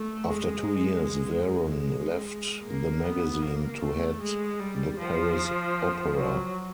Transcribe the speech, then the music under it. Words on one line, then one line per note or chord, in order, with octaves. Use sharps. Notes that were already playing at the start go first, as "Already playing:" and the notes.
After two years Veron left the magazine to head the Paris Opera.
Already playing: A3
G#3
G#3
A#3
B3
A#3
A3
G#3
G3
F3
F#3